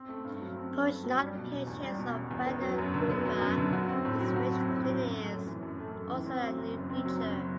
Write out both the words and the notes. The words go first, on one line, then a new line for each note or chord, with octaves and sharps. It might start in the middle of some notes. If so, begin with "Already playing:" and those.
Push notifications of when the Roomba is finished cleaning is also a new feature.
Already playing: C4
A3
G2
F#3
C4
A3
G2
F#3
G3
B2
E1
E2
G3
B2
E1
E2
B3
F#3
F#2
D3
B3
F#3
F#2
D3
F#4
C4
A2
F#3
F#4
C4
A2
F#3
F#2
A3
F#2
E3
F#2
A3
F#2
E3
C4
F#3
F#1
F#2
C4
F#3
F#1